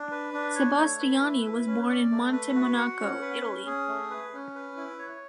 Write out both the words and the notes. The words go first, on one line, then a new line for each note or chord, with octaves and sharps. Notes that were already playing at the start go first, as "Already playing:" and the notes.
Sebastiani was born in Montemonaco, Italy.
Already playing: D4
B4
D4
C#5
A3
B4
E4
B4
C#4
D5
A3
B4
F#4
F#5
C#4
B4
C#4
G#4
A3
B4
C#4
B4
E4
C#5